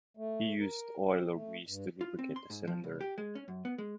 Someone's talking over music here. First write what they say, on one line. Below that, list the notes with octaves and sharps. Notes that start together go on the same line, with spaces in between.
He used oil or grease to lubricate the cylinder.
A3
A#4
C4
A3
G2
F4
C4
C6
G#2
F3
C2
G4
G#3
C#4
F#2
B3
G#3